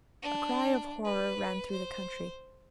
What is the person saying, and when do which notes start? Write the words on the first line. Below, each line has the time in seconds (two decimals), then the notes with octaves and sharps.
A cry of horror ran through the country.
0.23 D4
1.05 B4
1.71 C5